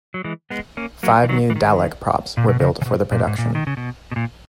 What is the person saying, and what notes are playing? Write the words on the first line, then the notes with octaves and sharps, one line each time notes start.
Five new Dalek props were built for the production.
F#3
E3 G#3
G#3 B3
A#3 C#4
F#3 A#3
E3
D#3 F#3
E3
D#3
A#2
B2
C#3
C#3
B2
A#2
G#2
A#2
D#3
C#3
B2
B2
A#2